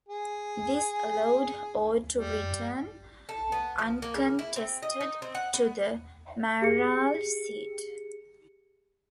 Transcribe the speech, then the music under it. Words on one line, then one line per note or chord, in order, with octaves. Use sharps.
This allowed Orr to return uncontested to the mayoral seat.
G#4
G3
A4
B3
F3
A#3
C#3
E4
C4
D#5
D#4
C4
F#5
B3
G4 G#4 C#7